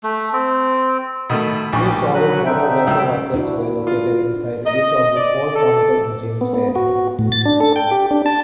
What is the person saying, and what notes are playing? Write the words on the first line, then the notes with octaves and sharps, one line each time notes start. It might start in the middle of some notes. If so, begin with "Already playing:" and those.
Two solid motor retrorockets were located inside each of the four conical engine fairings.
A3
C4
B2 D#3 A3 B5
A#1 D#2 G4 C#6
F#3 F#4 B4 B5
D3 D#4 E5 G5
C#2 F#2 E6
D4 E4 F#4
F4
D#5
D5
A4
B3
B3
F#4
A2
A6
D4
A4
G5
G4
D4
A5